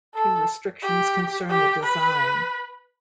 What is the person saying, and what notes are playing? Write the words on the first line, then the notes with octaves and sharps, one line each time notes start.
Two restrictions concern the design.
A4
G4
G4
B4